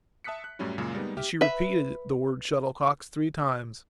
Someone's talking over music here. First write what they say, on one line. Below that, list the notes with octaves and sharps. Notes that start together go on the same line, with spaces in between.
And she repeated the word "shuttlecocks" three times.
E5 A5 D#6 F#6 B6 C#7
F#6
F#2 A2 F#3 G3 C#4 E4
F#2 A#2 C#3 G#3
G3 G#3 A#3 B3 D#4
G4 E5 F6
B4 E5